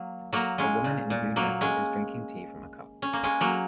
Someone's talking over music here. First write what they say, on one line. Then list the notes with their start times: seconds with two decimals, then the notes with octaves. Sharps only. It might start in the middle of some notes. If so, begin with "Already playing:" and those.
A woman in a blue jacket is drinking tea from a cup.
Already playing: F#3 A#3
0.33 F#3 A#3
0.58 G#3 C#4
0.84 A#2
1.10 A#2
1.36 F#3 A#3
1.61 G#3 C#4
3.02 C#4
3.13 A#3
3.24 G#3 C#4
3.41 F#3 A#3